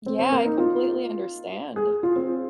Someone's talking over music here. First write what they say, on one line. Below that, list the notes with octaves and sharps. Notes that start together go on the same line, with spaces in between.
Yeah, I completely understand.
C4
C4
A#3
D#4
F4
G#4
F4
C4